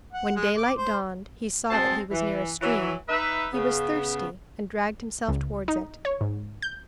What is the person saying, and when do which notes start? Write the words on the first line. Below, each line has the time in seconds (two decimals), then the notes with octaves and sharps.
When daylight dawned he saw that he was near a stream; he was thirsty, and dragged himself towards it.
0.12 F#5
0.36 G#3
0.57 D6
0.76 C5
1.70 B2 G#3 C4 C5 A5
2.11 E3
2.61 E3 F#3
3.08 D#4 B4 E5
3.52 C#3 B3
5.29 C#2
5.68 D#4
6.05 C#5
6.21 G#2
6.62 G6